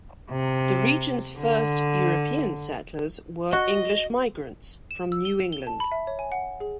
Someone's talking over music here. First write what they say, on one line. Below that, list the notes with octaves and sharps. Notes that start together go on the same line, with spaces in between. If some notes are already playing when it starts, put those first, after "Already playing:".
The region's first European settlers were English migrants from New England.
C3
D3
F#4 D#5
E7
E6
G7
G7
A5
B5
E5
C#5
G#5
F#5
G#4